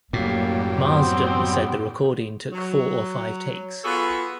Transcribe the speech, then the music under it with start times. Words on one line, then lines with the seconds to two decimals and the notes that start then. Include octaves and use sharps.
Marsden said the recording took four or five takes.
0.13 F#2 A2 G3 A#3
0.79 B3 C4
2.53 F#3
3.85 B3 F4 F#4 G#4 A4